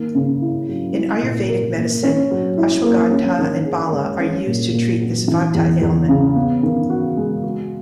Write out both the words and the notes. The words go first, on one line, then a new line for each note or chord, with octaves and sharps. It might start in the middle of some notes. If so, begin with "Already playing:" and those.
In Ayurvedic Medicine, Ashwagandha and Bala are used to treat this vata ailment.
Already playing: D#3 A#3
C#3
E4
F#3
E4
A#2
A#4
A#3
C#4
F#3
E4
A#3
C#4
D#3
G#4
G#3
C#4
A#2
A#2
F#3
E3
E2
E2
C#3
B3
D#3
F#4
G#3
F#4